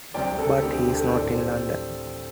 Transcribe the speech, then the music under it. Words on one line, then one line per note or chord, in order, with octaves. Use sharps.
But he's not in London?
D2 C3 G3 C4 D5 G5
A4
D2 D3 C4 G4
G4
A4
A2 A3 C4 A4 D5
A4
G4 C5